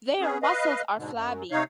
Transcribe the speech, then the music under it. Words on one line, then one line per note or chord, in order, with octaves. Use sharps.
Their muscles are flabby.
B3 C#4 G#4
B4 D#5 F5
G#2 B2 D3
F#2
C3 D#4 C#5 F5